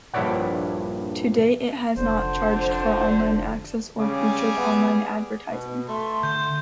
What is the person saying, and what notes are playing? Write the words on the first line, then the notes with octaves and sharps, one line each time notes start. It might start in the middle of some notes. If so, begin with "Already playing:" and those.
To date it has not charged for online access or featured online advertising.
A#1 G2 E4 C#5 D5 F#5
F1 F2 D3 C5
C#3 G3 G#4 D6
B3
B2
A3 C6
D3 G6